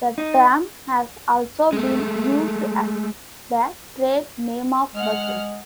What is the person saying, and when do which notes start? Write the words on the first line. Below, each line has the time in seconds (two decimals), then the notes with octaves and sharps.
The term has also been used as the trade name of puzzles.
0.18 D#4
1.73 G#3 A3
4.95 G#3 F#5 F6